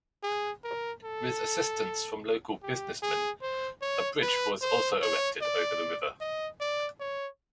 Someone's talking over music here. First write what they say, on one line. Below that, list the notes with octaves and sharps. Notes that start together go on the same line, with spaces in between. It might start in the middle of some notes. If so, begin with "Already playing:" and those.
With assistance from local business men a bridge was also erected over the river.
G#4
A#4
A4
G4
G#4
C5
C#5
B4
C5
C#5
D5
D#5
D5
C#5